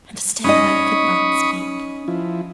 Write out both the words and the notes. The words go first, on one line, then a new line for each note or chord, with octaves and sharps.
And still I could not speak.
C#4 D#4 D#5 B5 C#6 D#6
F3 E4